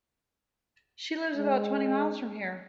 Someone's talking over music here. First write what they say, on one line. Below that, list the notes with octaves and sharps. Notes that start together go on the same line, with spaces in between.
She lives about twenty miles from here.
G#3